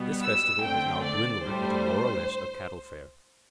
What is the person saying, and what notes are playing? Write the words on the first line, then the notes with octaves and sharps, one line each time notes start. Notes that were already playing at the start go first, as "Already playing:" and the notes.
This festival has now dwindled into more or less a cattle fair.
Already playing: B2 G3 B3
E6
D3 A3 C4 G5
D5
A2 G3 D4 C5